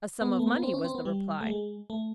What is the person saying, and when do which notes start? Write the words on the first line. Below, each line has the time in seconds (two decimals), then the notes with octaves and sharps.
"A sum of money," was the reply.
0.21 B3
0.39 A3
0.47 A#3
0.55 B3
0.63 C4
0.74 C#4
0.84 C4
0.95 B3
1.05 G3
1.41 A3
1.47 G#3
1.90 A3